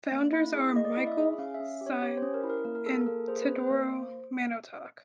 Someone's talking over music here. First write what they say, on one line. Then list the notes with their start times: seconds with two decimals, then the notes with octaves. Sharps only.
Founders are Michael Singh and Teodoro Manotoc.
0.12 A#3
0.33 E4
0.54 G#4
0.75 A#3 D#5
0.85 D5
0.93 D#5
0.97 E4
1.07 E5
1.18 G#4
1.38 C#4 F5
1.54 E5
1.60 C#4
1.81 G4
1.86 C#5
2.02 G4 C#5
2.17 C5
2.22 C#4
2.34 A#4
2.43 E4
2.50 A#4
2.65 A#3 A#4
2.75 A#4
2.86 G#4 A4
3.01 A4
3.06 A#3 A#4
3.28 G#4 C5
3.42 B4
3.49 A#3
3.56 C5
3.71 A#3